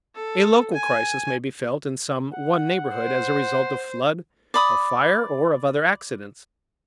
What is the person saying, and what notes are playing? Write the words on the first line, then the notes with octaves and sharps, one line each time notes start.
A local crisis may be felt in some one neighborhood as a result of flood, of fire, or of other accidents.
A4
G#5
F#5
C5
D5 B5 D#6